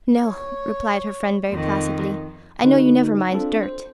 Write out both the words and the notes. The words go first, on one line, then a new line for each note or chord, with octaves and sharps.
"No," replied her friend very placidly, "I know you never mind dirt."
C#5
F2 D#3
D3 D#4 F#4 B4
C4 D4 F4 A4
C5